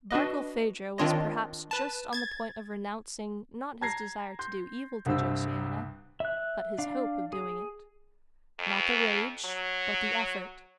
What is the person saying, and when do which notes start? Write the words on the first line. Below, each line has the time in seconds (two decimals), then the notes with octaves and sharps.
Barkilphedro was perhaps just on the point of renouncing not his desire to do evil to Josiana, but his hope of doing it; not the rage, but the effort.
0.11 D4 F#4 B4 D#5
0.98 D#3 C4 D4 F4 C#5 D#5
1.71 B4 A5
2.13 G#6 A6
3.81 A5 A#5 G#6 A#6 C7
4.39 C6 G6
5.06 C2 G2 C5 E6
6.20 E5 F#6
6.78 D4 F5
7.33 G#4
8.59 F2
9.45 F#3